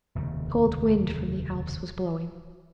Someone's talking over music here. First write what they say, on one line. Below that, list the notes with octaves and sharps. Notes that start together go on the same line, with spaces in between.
A cold wind from the Alps was blowing.
F1 D#2 C#3